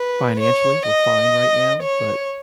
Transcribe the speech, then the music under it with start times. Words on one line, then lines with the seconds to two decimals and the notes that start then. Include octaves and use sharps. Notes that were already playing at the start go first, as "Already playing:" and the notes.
financially, we're fine right now, but
Already playing: B4
0.40 C#5
0.87 D#5
1.82 C#5